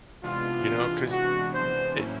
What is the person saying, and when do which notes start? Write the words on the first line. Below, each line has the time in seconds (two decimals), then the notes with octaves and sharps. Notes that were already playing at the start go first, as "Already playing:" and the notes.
you know, 'cause n it
0.23 C3 E3 G#3 B3 D4 F4
1.09 F#4
1.53 C5
1.97 A2 F#3 A#3 C#4 E4